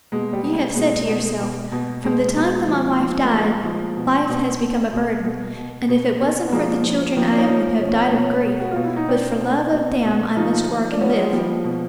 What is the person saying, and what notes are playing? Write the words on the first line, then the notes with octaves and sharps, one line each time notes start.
You have said to yourself, 'From the time that my wife died life has become a burden, and if it wasn't for the children I would have died of grief, but for love of them I must work and live.
B2 G#3
G3
B2
B2 G#3
B2
B2
B2
B2 G#3
B2
F3
F3
A3
A#2 G#3 A#3
F3
B2
B2
B2
B2
B2
B2
B2
B2
B3
F3 G#3 A#3
F3
F3 A#3 C4
D4
C#4 D#4
F3
B2 C#4
C4
B3 C#4
B2
B2
F#4
B2 F4
E4
D#4
B2 C4 D4
B2
B2
B2
F3 D#4 F4
F3
D4
F3 B3 C#4
G#3
F3 G3
B2